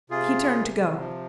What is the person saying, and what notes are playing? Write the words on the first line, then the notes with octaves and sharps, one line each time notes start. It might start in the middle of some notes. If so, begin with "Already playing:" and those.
He turned to go.
C3 F4 G#4
C3
F3